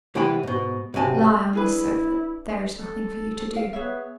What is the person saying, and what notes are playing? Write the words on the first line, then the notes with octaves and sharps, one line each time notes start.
Lie on this sofa--there is nothing for you to do.'
C2 E3 G#3 B3 G5 B5
G#2 B2
B1 G#2 C3 G#5 A5
D4 E4 G#4 B4
A4
F5
B3 G#4 C#5 E5